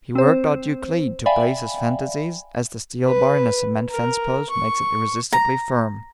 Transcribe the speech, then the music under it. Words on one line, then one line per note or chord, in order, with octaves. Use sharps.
He worked out Euclid to brace his fantasies, as the steel bar in a cement fence-post makes it irresistibly firm.
C4 C5
D5 E5 F5 G5 G#5 B5
B4
A#4
C#6
A#5